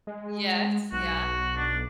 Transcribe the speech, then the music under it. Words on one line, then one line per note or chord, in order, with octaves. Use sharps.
Yes, yeah.
G#3
B1 F#4
D4